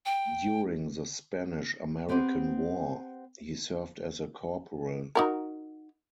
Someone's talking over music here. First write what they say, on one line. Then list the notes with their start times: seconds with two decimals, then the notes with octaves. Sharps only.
During the Spanish-American War, he served as a corporal.
0.06 G5
2.09 B3 C4 G4 B4 C5
5.15 D#4 F#4 A#4